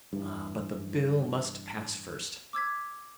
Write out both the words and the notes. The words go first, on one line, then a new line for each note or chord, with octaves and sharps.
Ah! but the Bill must pass first....
G2 E3
D6 E6 G#6 B6